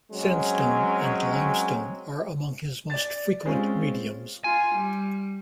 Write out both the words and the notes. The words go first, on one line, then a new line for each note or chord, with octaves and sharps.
Sandstone and limestone are among his most frequent mediums.
F#3 G#3 C4 C#4
D5 A6
G#3 C4 C#4 F4
F4 G#5
G3